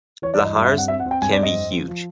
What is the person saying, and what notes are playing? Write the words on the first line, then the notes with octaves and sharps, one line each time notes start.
Lahars can be huge.
E3 C#5
D5
G2
D#5
G2 E5
E5
C4
F#5
C4 E5
F#5
C4
G5
G2 G#5
D5
C4 D#5
F2
F3
F3